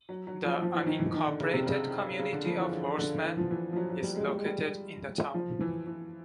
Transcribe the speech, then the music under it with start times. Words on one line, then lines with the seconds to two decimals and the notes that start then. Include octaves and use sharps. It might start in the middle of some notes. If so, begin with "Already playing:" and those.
The unincorporated community of Horseman is located in the town.
0.09 F#3
0.27 F#3
0.44 F3
0.62 F3
0.74 E3
0.86 D#3
0.99 E3
1.14 D#3
1.27 D3
1.40 C#3
1.54 C3
1.66 C#3
2.19 C#3
2.33 D3
2.45 F3
2.58 E3
2.72 D3
2.98 D3
3.24 E3
3.37 F3
3.51 E3
3.72 F3
3.76 F#3
3.90 F#3
4.03 G3
4.16 G#3
4.29 G3
4.37 G#3
4.45 G3
5.34 F3
5.60 E3
5.86 E3